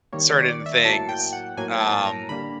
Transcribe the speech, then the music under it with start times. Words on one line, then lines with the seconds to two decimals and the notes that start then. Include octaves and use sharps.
certain things, um
0.13 D#3 G3 A#3 C#5
0.30 D5
0.41 C#5
0.49 D5
0.66 E5
0.84 A2 F#3 A#3 A5
1.09 G5
1.33 F#5
1.57 A2 F#3 A#3 G#5
1.81 A5
2.05 A#5
2.29 D3 G3 A#3 B5